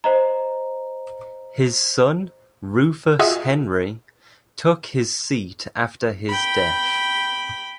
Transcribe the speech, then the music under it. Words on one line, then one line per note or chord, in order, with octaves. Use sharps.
His son, Rufus Henry, took his seat after his death.
C5 D#5 A#5
F4 F#4 G#4 D#5 E5
G5 B5